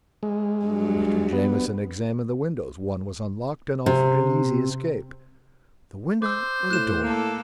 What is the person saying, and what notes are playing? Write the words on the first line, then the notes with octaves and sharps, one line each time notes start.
Mr. Jamieson examined the windows: one was unlocked, and offered an easy escape. The window or the door?
G#3
G2 F#3
B3
C3
C5 D6 E6
A2 F#6 E7
A#3 A4